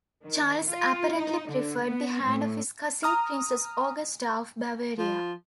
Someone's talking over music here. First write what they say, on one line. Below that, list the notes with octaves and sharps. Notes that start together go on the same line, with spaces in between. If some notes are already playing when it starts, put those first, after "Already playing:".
Charles apparently preferred the hand of his cousin Princess Augusta of Bavaria.
D#3
F4
D#4
D3
B3
A2
A#5 D#6 F6
F3